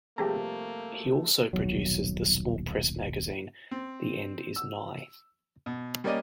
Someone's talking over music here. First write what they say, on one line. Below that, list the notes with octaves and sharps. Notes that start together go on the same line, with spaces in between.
He also produces the small press magazine "The End Is Nigh".
C3 F3 G3 A3 A#3 G4 G#4 A#5
D#1 B1 F#3
C4
E6
B2
G3 A#3 C#4 D5 D#5